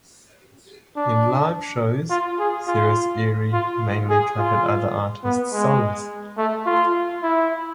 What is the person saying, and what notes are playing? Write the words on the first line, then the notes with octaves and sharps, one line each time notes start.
In live shows, Cyrus Erie mainly covered other artists' songs.
D4
F4
G#4
F4
F4
G#4
F4
B3
G#3
A3
F4
E4